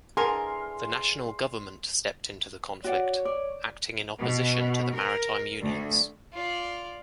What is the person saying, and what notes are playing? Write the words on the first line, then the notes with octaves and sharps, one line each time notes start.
The National government stepped into the conflict, acting in opposition to the maritime unions.
D3 E3 G#4 A#4 C6
F#4 C#5 D5 F#5
D5
B2
A#4
D2
F4 D5